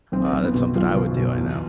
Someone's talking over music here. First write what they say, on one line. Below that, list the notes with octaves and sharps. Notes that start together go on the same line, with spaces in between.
Uh, that's something I would do, I know.
B1 C4
B1
B3
B2
B1 F4
B2
B2
E2